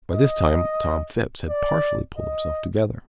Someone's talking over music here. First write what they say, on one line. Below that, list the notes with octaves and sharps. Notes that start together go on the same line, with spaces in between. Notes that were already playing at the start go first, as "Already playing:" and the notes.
By this time Tom Phipps had partially pulled himself together.
D#5
D5
D#5